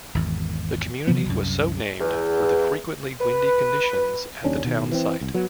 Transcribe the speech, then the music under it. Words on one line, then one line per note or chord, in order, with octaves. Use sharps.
The community was so named for the frequently windy conditions at the town site.
G#1 E2
C3 E3 F3 B3
C2 F#2
E2
B4
F#1 D#2 C#4 D4
B2 D#3
E3 C4
C2
F#3 B3